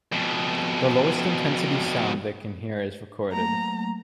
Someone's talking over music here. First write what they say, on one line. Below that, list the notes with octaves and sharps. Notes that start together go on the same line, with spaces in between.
The lowest intensity sound they can hear is recorded.
F2 B2
F#3 A3 A#3 A#5